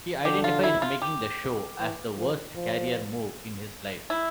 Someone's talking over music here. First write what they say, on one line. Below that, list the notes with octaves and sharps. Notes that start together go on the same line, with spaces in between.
He identifies making the show as "the worst career move" in his life.
D3 G4
F4
E4
F4
G4
E3
F3
F3
E4